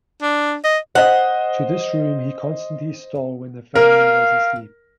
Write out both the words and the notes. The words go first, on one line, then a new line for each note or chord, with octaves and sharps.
To this room he constantly stole when the family was asleep.
D4
D#5
C5 D#5 F#5
A#4 F5